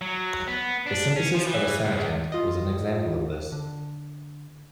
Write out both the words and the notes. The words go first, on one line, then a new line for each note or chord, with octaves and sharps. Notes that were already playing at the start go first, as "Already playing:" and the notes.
The synthesis of osanetant was an example of this.
F#3
B3
D4
C#4
F3
E3
C#2
F4 D#5
D3